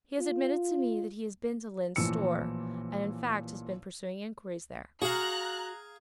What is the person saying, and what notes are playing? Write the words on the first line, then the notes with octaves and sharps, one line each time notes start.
He has admitted to me that he has been to Lyne's Store and in fact has been pursuing inquiries there.
F4
A1 A#2 E3 F3 E6 C#7
F#4 G#4 F5 A#5 F#6